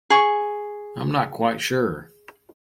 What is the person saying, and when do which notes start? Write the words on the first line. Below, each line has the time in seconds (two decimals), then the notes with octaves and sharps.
I'm not quite sure.
0.10 G#4 C#6